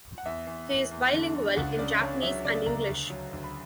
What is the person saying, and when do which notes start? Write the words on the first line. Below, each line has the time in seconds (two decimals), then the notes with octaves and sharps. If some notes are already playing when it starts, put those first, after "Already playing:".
He is bilingual in Japanese and English.
0.18 F#5
0.25 E2 E5
0.47 E2
0.69 E2
0.91 E2
1.13 D3
1.35 D3
1.56 C#2 F#5
1.79 C#3 D5
2.00 C#3 C#5
2.22 F#3 E5
2.45 C#3 D5
2.66 C#2 A#5
2.89 D2
3.10 F#3
3.33 D2
3.44 B5